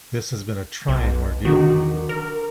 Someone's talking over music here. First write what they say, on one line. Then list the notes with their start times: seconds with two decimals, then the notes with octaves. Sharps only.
This has been a trying ordeal for you.
0.88 B1
1.45 D3 D#3 F#3 F#4
2.09 A#4